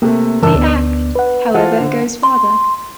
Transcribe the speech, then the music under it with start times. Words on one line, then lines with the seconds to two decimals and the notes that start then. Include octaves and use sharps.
The Act, however, goes further.
0.02 C3 A3 A#3
0.42 G1 C#3 E3 A#4 A5 E6
0.55 D2 B3 D4
1.16 B4 F#5
1.54 E3 F4 A4 C5 F#5
1.80 D3
2.23 C6